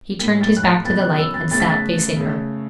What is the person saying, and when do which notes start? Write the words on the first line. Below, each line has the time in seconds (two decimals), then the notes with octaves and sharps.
He turned his back to the light, and sat facing her.
0.19 A2 A3 B6
0.41 A6
0.57 F#6
0.63 A6
0.85 C#3 F#3 B3 A6
1.01 F#6
1.18 E6
1.34 A6
1.51 C#3 A3 A6
1.60 B6
1.69 A6
2.17 C#3 A3